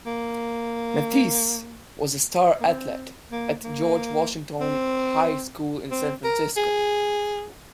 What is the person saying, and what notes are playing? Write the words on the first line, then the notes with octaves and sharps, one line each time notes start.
Mathis was a star athlete at George Washington High School in San Francisco.
A#3
A#3
C4
A#3
A#3
C4
C4
A#4
G#4